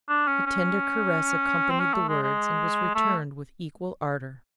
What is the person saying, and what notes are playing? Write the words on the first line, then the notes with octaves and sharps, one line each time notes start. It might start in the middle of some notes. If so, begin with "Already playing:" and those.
A tender caress accompanied the words, and was returned with equal ardor.
D4
C#4
C#4
C4
C#4
A3
G#3
G#3
A3